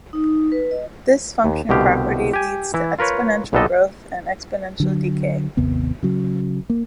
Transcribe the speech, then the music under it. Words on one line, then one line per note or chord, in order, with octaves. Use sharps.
This function property leads to exponential growth and exponential decay.
D#4
B4
D#5
D#2
C2 B2 D3 G4 F5
G4 G#5
E3 E4
F4 A#4 B4 C#5
B1 A#2 B3 G4 A4 D#5
D3 F#3
G#1 D#2 C3 B3
C#3 F#3
A#3